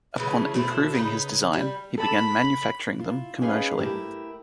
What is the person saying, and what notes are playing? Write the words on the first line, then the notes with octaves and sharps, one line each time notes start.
Upon improving his design he began manufacturing them commercially.
C#3 E3 A3
B2 A3 C4 E4
C#3 D#4 E4 B4
G3
A4 A5 B5
E4 F4
C#4 D#4 G#4 B4 C#5 F5
A3 E4 G4 A#4